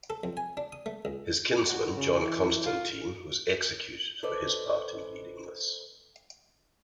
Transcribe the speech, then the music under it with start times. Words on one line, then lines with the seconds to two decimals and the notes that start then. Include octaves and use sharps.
His kinsman John Constantine, was executed for his part in leading this.
0.10 A4
0.24 F2
0.37 G#5
0.57 D4
0.72 D#6
0.86 A3
1.05 C#2
1.68 F#4
1.95 C#3
2.20 E3
2.66 F4
4.23 A4 B4 C5 D5 D#5